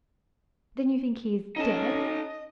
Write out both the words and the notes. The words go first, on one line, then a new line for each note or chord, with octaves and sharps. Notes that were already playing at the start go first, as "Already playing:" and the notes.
"Then you think he's--dead?"
C#4 D#4 A4 D#5 A5